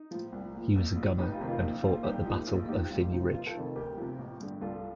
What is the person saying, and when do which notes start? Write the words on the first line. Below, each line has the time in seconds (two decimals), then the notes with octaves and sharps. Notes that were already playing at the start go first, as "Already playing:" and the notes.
He was a gunner and fought at the Battle of Vimy Ridge.
Already playing: D#4
0.11 A2 F3
0.32 C2
0.55 A#2 F3
0.76 A#1
0.97 A2 F3
1.18 F1 D#4 G4
1.33 F4
1.40 F2 C3 D#3
1.48 F4
1.61 A#1 D#4
1.83 A#2 F3 F4
2.04 C2 D#4 G4
2.25 A#2 F3 D#4
2.47 A#1 F4
2.68 A2 F3 D#4 G4
2.90 C2 F4
3.11 C3 F3 D#4
3.33 F1 F4
3.47 F4 A4
3.54 F2 C3 D#3
3.75 D2 G4 A#4
3.97 C3 F3
4.19 A1
4.40 G2 D3
4.61 C2 F4 A4